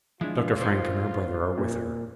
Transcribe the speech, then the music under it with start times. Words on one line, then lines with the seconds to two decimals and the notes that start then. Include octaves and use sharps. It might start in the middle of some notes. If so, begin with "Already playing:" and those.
Dr. Frank and her brother are with her.
0.21 F3 G#3 D4 E4 F4
0.61 D#3 F3 C5
1.58 A#2